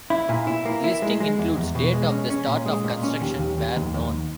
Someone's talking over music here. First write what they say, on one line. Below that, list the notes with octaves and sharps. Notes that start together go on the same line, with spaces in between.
Listing includes date of the start of construction where known.
E4
A#2
E4
A#3
E4
G#3
G#3
E2
E2
B2
G#3
C#4
C#4
A#2
G#3
A#2
C#4
D#2
D#2
D#2
D#2
D#2